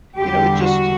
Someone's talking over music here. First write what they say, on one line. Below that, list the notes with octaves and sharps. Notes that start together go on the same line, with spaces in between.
you know, it just
E2 D3 G3 G4
F#4